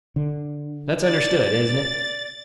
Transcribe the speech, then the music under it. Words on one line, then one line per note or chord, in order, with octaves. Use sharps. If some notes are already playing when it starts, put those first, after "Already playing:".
"That's understood, isn't it?"
D3
D5 A6